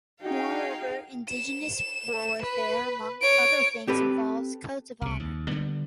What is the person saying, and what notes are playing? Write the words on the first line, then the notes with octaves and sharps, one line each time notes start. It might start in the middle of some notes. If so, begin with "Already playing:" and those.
Moreover, indigenous warfare, among other things, involves codes of honor.
D#4 F#4 G#4 F5 G5
E7
B4
C#5 D7
C4 G4 A4 B4
C2 C3
D#2
D3 G3 B3